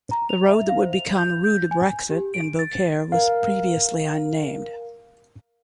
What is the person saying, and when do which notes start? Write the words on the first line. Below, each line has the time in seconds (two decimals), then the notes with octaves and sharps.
The road that would become "Rue du Brexit" in Beaucaire was previously unnamed.
0.11 A#5
0.29 F7
0.48 E5
0.69 F5
0.81 C5
0.93 F7
1.18 G6
1.44 G6
1.71 G#5
2.10 G4
2.34 D7
2.59 A6
3.12 A#4 F5